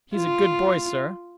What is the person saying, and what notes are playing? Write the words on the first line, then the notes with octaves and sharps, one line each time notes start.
"He's a good boy, sir."
F4